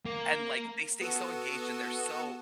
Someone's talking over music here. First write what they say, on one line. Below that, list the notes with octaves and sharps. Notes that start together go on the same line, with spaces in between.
and, like, they stay so, engaged and they're so,
A#3
B3 F#4 A4